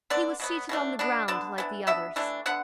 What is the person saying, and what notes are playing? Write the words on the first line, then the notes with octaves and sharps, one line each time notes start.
He was seated on the ground like the others.
D3 B3 D4 D5
B2 F#3 B3
B2 A3 D4
B2 B3 D4
D3 B3 D4 A5
E3 B3 D4
B2 B3 D4 E5
E3 A3 D4
D3 B3 D4 F#5